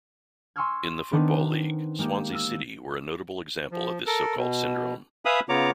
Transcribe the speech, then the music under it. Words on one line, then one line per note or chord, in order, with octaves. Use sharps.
In the Football League, Swansea City were a notable example of this so-called syndrome.
G#5 C6 C#6 E6 F6 G#6
D#3 B3 C4 D4 D#4
G#3 A#3 G4
E6 F6
F3
A4 A#4
B2
B4 E5 F5 G#5 B5 D#6
C#3 B3 F4 C#5 A#5 D6